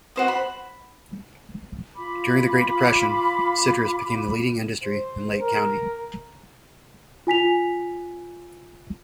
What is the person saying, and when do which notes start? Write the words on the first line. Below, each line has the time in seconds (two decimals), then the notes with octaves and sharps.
During the Great Depression, citrus became the leading industry in Lake County.
0.16 F#4 C5 D#5
0.28 B5
1.95 F4 B5 D6
4.84 C5
5.42 A#4
7.27 F4 G#5 B6 F7